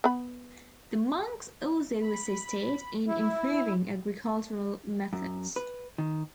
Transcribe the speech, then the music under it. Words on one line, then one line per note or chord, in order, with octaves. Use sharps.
The monks also assisted in improving agricultural methods.
B3 B5
B5
E4
F#2
B4
D#3